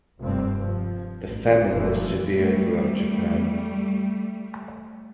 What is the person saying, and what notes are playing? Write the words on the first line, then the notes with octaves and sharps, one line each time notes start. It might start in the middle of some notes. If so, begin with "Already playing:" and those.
The famine was severe throughout Japan.
F1 G2 C4
F3
A1
F1 F#2 A#2 E3 F3 A3
G3 A3